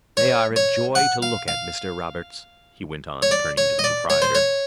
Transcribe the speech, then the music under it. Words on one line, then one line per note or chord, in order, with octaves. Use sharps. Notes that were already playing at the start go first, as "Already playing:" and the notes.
"They are a joy to look at, Mr. Roberts," he went on, turning to the proprietor.
C#5
C#5
F#5
F5
F5
C#5
D5
C#5
D#5
D5
C#5
C5
C#5